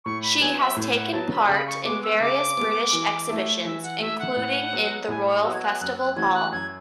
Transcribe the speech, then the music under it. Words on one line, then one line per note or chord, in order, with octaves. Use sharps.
She has taken part in various British exhibitions, including in the Royal Festival Hall.
A2 C#6
B5
F#3 B3 G#5
E5
A2
F#5
F#3 B3 A5
B5
C#3 B5
C#6
G#3 B3 D6
E6
C#3 D6
G#3 B3
E3
A3 E4 A4
E3 E5
F#5
A3 E4 A4 E5
F#5
A2
F#3 B3 F#4
A2 G#5
C#6
F#3 B3 F#4 E6
G#6
F#6
F#2 F#6
F#6
E3 A3 C#4 F#4 G#6
F#6
F#2 G#6